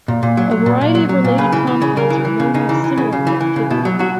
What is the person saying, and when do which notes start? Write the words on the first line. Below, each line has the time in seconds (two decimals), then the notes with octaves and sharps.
A variety of related compounds are known with similar reactivity.
0.08 A#2
0.23 A#2
0.37 F#3
0.51 F#3
0.66 A#2
0.81 A#2
0.95 F#3
1.09 F#3
1.24 A#2
1.38 C#3 B4
1.52 E3
1.67 E3
1.82 C#3
1.97 C#3 A#4
2.10 E3
2.25 E3
2.40 C#3
2.54 C#3 D#4
2.69 E3
2.84 E3
2.98 C#3
3.13 C#3
3.27 E3
3.41 E3
3.56 C#3
3.70 B2 E4
3.85 F#3
3.99 F#3 F#4